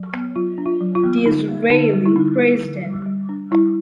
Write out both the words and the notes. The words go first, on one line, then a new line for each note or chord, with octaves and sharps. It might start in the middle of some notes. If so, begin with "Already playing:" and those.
Disraeli praised him.
Already playing: F#3
B3
F#3 F4
D4
F4
F#3
F4
B3
D3 D#4
A#3
D3 D#4
G3
E4
D3 D#4
A#3
D3
G3
G3
D4
G3 E4